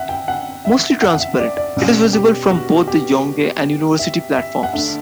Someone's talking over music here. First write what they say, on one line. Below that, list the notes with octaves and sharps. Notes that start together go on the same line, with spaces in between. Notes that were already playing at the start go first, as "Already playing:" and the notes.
Mostly transparent, it is visible from both the Yonge and University platforms.
Already playing: E5 F#5
G5
F#5
E5
F#5
F#5
E5
D5
D5
B2 G3 C#4
G4
F#4
G4
E5
E5
F#5
D3 A3 D4 E5